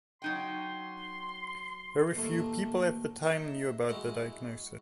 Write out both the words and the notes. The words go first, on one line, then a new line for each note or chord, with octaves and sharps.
Very few people at the time knew about the diagnosis.
F#3 D#4 G5 C6
D#2 A2 A3 A#3
D#4 E5
G#3 E4 F#4